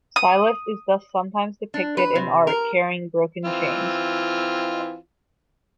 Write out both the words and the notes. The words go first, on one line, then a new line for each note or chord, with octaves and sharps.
Silas is thus sometimes depicted in art carrying broken chains.
D#6
D4
B4
C3
A#4
E3 C4 F4